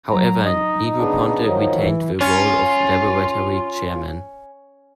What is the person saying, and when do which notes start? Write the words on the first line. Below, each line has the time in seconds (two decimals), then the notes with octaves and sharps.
However, Negroponte retained the role of laboratory Chairman.
0.11 F#3 A#5
0.45 D#4 D#5
0.97 C#3 B3 D4
1.44 D#3 F3 F#3
1.77 E3
2.21 C#4 F4